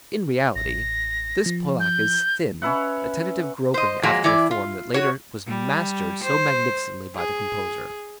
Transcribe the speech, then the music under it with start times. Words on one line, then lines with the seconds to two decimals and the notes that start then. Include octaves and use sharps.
In reality this polacca is thin, a tentative groping after a form that later was mastered so magnificently by the composer.
0.56 A1 A#6
1.46 F3
1.80 G6
2.62 C#4 B4 E5 F#5
3.74 C5 D#5
4.03 F3 F#3 G#3 A#3
4.24 E3 E4 D5
4.51 F4
4.94 F#4 C#5
5.48 G3
6.24 C5
7.15 G#4